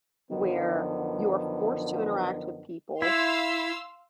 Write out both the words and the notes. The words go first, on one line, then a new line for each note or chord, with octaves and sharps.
where you are forced to interact with people
F#2 D3 D#3 F3 B3
E4 F5 C6 E6